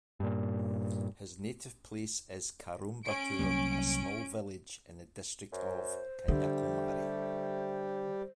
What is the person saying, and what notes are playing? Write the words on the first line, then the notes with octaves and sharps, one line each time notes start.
His native place is Karumbattoor, a small village in the district of Kanyakumari.
G2 A#2
C#4 D7
C2 F#3 A#3
F#2 C5
D3 G3 A3 G4